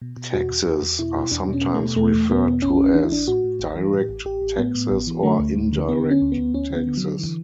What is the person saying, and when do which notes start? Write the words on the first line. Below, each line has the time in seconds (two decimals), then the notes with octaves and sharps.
Taxes are sometimes referred to as "direct taxes" or "indirect taxes".
0.02 B2
0.17 B2
0.33 E2 F#4
0.50 E2
0.66 E2 F#4
0.82 E2
0.99 B2 E4
1.16 B2
1.31 E2 D4
1.48 B2 C#4
1.64 B2
1.74 A3
1.80 B2
1.96 E2 A3
2.14 E2
2.30 B2 B3
2.46 E2
2.62 A1 C#4
2.79 A1
2.94 E3 D4
3.03 E4
3.11 A1 D4
3.28 A2 F#4
3.44 A2
3.60 A1
3.76 E3
3.93 A2 G4
4.09 A1
4.25 A1 G4
4.42 A1
4.58 A2 B3
4.75 A2
4.90 A1
5.07 E3
5.23 D3 A3
5.39 D2
5.56 D2
5.73 D3
5.88 D3 B3
6.05 D3
6.11 C#4
6.22 D2
6.32 B3
6.38 D2
6.54 D2 C#4
6.70 D3
6.76 B3
6.87 D3
6.97 F#3
7.03 D3
7.19 E3